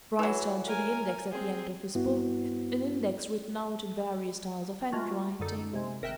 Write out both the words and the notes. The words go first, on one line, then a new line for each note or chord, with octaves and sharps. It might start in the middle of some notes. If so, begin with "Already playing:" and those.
Bryce turned to the index at the end of his book--an index written out in various styles of handwriting.
E3 F#3
A#4 G#5
C4 G#4
G2 B3 E4 F#4
G#3 A3 F4 F#4
F#2 D3 D#4 A4
C3 G#3
G#1 A#4 E5 G5 F#6 E7